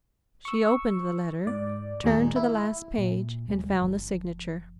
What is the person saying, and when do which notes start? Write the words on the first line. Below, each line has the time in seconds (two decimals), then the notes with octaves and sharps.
She opened the letter, turned to the last page, and found the signature.
0.45 C#6 E6
1.46 G#2 D5
2.04 D#2 A#2 D#3 G#3 D#4 G#4
2.36 E4
2.98 A#2
3.48 D#1 C3 G3 G#3
3.82 F#1 F3